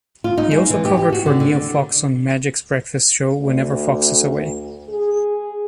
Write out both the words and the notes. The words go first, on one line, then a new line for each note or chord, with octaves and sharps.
He also covered for Neil Fox on Magic's breakfast show whenever Fox is away.
F4
D#4
G#3
E3
G4
G4
F#4
D3
D3
D2
G#4